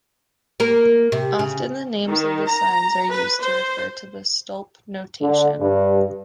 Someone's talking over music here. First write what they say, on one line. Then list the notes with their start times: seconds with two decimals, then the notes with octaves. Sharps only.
Often the names of the signs are used to refer to the stolp notation.
0.60 A#3 A#4
1.12 C3
1.39 C#3
2.07 D#3
2.47 A#5
3.10 B4
3.41 C5
5.22 D3
5.60 G2